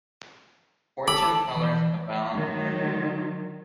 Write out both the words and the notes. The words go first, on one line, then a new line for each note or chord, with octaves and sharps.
Fortune tellers abound in Aruba.
A4 B5 D6
E3
D#3 F#3